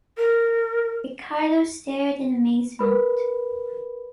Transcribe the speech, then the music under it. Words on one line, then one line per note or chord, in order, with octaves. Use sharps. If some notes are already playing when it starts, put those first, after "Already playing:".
Ricardo stared in amazement.
A#4
A#4 B4 B5